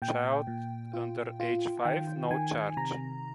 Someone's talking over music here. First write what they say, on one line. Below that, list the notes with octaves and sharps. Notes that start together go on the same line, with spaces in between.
Child under age five: no charge.
A#2 G5
A#2
F4
F4
D#3 G5
D#3 G#5
C3 A#5